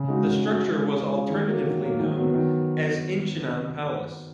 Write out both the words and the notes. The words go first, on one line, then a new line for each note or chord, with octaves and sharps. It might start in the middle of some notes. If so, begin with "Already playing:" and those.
The structure was alternatively known as Inchinnan Palace.
Already playing: C#3
G#3 D#4 F#4
C#3
G#3 D#4 F#4
G#3
C#4 F4 G#4
G#3
C#4 F4 G#4
D#3
F#3 A#3
D#3
F#3 A#3
D#3
F#3 B3
D#3